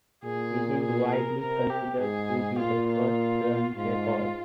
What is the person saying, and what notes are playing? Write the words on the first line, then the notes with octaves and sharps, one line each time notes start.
It is widely considered to be the first grunge record.
A#2 G#4
G#4
A#4
C3 A#4
G4
G#2 G#4
A#2 F4
F4
G#2 F4